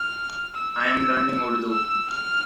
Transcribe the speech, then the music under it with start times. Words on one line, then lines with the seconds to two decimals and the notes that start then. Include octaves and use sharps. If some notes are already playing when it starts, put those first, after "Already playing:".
I am learning Urdu.
Already playing: F6
0.55 E6
1.71 E6
2.10 F6